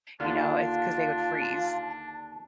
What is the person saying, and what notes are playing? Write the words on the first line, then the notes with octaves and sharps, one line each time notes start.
you know? It's 'cause they would freeze,
D#2 D3 D4 F4 A5